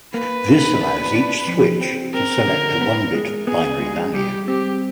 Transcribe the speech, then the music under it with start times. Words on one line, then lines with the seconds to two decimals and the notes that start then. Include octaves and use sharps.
This allows each switch to select a one-bit binary value.
0.14 A#3 B4
0.48 A#3
0.81 D4
1.15 D4
1.47 F2
1.81 C4
2.14 C4 A#4
2.47 D3
2.81 B3
3.14 G#3
3.47 B3 G#4
3.81 G#3
4.14 G3 G4
4.47 C4 G4